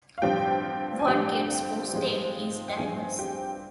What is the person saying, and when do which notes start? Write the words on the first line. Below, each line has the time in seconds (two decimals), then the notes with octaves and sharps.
What gets posted is diverse.
0.18 F5
0.22 G2 D3 F3 C4 G4 G5
0.99 G#5
1.07 G2 D3 F3 C4 G4 G5
1.93 G#2 F3 G#3 C4
2.68 G5
2.77 G2 F3 C4 G#4 G#5
3.19 G4 G5